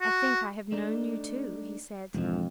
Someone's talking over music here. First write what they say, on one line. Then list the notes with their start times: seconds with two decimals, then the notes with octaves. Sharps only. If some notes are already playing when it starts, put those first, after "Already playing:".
"I think I have known you, too!" he said.
0.01 F#4
0.72 A3 D4 D#4
2.14 E1 F2 G#2 D3 F3